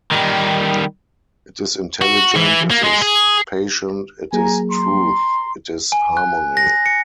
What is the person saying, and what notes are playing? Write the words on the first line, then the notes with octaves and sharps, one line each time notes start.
It is intelligent, it is patient, it is truth, it is harmony.
D#3 G3
F#4
E3
A#3
G#3
G#4
F#3 A#3 G#4 G#5 A#5
A#5 C6
G#5
F#6
A#6
C#7